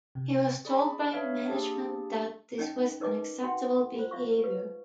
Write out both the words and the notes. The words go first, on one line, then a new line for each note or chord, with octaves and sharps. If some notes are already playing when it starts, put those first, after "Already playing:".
He was told by management that this was unacceptable behaviour.
C3
G#4 D5 B5
D4 B4 C#5 E5 F5 F6
A#3 D4 G4 G#4 A5
C#4 D#4 D#5 G5
D#4 A#4 B4 D#5 A5 D6
F#4 E5 F#5 G5 C6
F4 C5
F4 E5 F5 C#6
B4